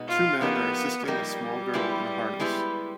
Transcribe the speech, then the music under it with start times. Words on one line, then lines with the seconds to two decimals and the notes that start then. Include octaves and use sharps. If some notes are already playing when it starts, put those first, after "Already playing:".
Two men are assisting a small girl in a harness.
Already playing: B2 G#3 B3 D#4
0.08 F4
0.41 F3 A#3 B3 D#4 G4 A#4
1.07 F3 G3 A#3 D#4 G4 A#4
1.74 G#3 B3 E4 G4 B4
2.40 G#3 B3 E4 G4 B4